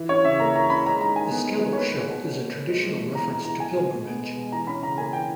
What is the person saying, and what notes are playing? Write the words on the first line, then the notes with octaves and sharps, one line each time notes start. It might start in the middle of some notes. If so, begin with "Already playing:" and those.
The scallop shell is a traditional reference to pilgrimage.
Already playing: E3
C#4 C#5
C#3 E5
A#3 A#5
E3 A#5
C#4 B5
G#3 A#5
D#3 A#5
D#3 G#5
B3
G#3
D#3
C#5
A#3 B4
B2
B2
C#4
A#3
B2
G#3
E3
E3
B3 A#5
G#3 A#5
E3 A#5
G#3 G#5
B2
B2
B3
G#3
B2
E3 A#5
C#4 B5
C#3 A#5
A#3 G#5
E3 G5